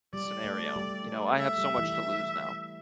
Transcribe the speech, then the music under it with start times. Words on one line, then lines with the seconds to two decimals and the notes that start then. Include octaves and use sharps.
scenario? You know, I have so much to lose now."
0.13 G3 G4 D5
0.44 A3 A4
0.76 G3 G4
1.06 A3 A4
1.38 E5
1.58 G3 G4
1.78 E3 E4